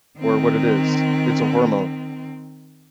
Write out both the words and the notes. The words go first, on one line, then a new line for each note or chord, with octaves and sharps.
or what it is? It's a hormone.
D#3 C4